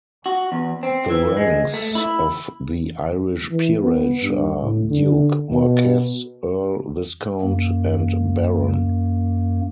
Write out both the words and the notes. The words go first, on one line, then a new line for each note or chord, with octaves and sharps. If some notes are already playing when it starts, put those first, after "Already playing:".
The ranks of the Irish peerage are Duke, Marquess, Earl, Viscount and Baron.
F#4
E2
C4
E3
G#3
A3
E4
E3
B3
G2
A2
D3
B2
F#2 A#3